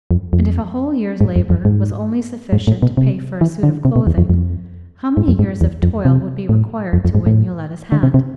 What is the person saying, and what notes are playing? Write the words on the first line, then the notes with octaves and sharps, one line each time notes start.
And if a whole year's labor was only sufficient to pay for a suit of clothing, how many years of toil would be required to win Yoletta's hand?
F2
F2
G#2
F2
F2
G#2
G#2
A2
B2
C3
E3
D3
C3
B2
E2
F2
F2
G#2
F2
G#2
E2
F2
C3
A2
F2
F2
G#2
A2
D3
C3
C3